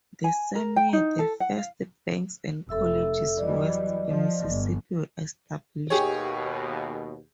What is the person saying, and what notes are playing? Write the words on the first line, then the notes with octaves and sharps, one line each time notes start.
The same year, the first banks and colleges west of the Mississippi were established.
G#5
A#4
G5
D#4
A4
F#5
F5
F1 A4 E5 E6
E3 F#3 G3 D5 D#5
F3
G1
D#2 B2 G4 G#4 C#5